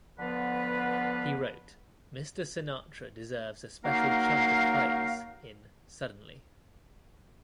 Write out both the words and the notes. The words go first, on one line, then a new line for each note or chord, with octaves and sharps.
He wrote, "Mr. Sinatra deserves a special chunk of praise...In "Suddenly!
D3 F3 B3 F4 B4
F#3 A#3 D#4 A#4 F5